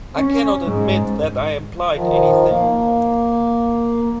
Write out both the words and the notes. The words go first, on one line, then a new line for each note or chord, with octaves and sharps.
I cannot admit that I implied anything.
C#4
G#2
D#3 F3
A#3